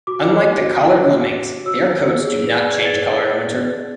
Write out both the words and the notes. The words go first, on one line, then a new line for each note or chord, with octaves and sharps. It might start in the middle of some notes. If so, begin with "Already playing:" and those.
Unlike the collared lemmings, their coats do not change color in winter.
F#4 D6
C#5
F#4
C#5
F#4
C#5
F#4 E6
C#5
G#4
B4 D5
G#4 G#6
A6